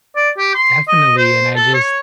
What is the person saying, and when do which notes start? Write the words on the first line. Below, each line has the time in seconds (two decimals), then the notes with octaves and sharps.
Definitely, and I just
0.16 D5
0.38 G4
0.55 C6
0.88 D#5
1.17 C5
1.55 A4
1.74 C#5